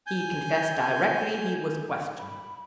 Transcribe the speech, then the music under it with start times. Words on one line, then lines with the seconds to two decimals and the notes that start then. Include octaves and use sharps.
He confessed directly he was questioned.
0.07 G#5 G6
2.19 B5